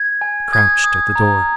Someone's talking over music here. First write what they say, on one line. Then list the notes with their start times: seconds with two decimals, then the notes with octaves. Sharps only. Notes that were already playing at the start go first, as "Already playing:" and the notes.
Crouched at the door.
Already playing: G#6
0.21 G#5
0.53 D#6 G#6
0.84 D#6
1.16 A#5